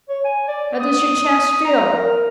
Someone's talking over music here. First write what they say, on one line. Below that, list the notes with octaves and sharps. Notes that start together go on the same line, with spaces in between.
"How does your chest feel?"
C#5
G#5
D5
D#6
A#5
A#4